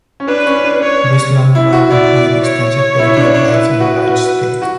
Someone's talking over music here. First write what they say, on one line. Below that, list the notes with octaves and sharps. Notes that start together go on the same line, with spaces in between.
This land grant included extensive political rights and a large estate.
C#4
D4 B4
C#4
D4
C#5
E4
F#4
E4 D5
C#5
E4
D4
D4
E4 B4
F#4
F#4
F#4